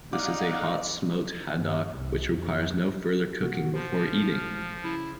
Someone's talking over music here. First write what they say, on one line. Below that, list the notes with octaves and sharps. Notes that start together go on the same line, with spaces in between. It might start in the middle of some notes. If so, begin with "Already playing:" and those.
This is a hot-smoked haddock which requires no further cooking before eating.
D#4 D5 F5 F#5 D6
G2
C2
F2
A1 C3 A#3 F#4
F3 C5
F6
C#3 E4